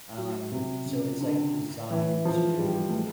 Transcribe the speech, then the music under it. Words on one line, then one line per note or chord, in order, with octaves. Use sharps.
um, so it's, like, designed to,
F#3
C3
C#3
D3
E3
F3
G3
A3
G#3